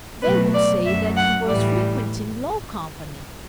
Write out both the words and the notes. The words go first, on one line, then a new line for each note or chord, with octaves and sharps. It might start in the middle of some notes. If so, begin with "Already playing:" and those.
They would say that he was frequenting low company.
B2 F#3 A3 B4
D5
F#2 F#3 A3 E5
F#5
A2 E3 G3 D5